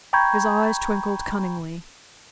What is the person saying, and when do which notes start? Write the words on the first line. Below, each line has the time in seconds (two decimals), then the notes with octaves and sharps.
His eyes twinkled cunningly.
0.13 G5 A#5 B5 C#6 G6 G#6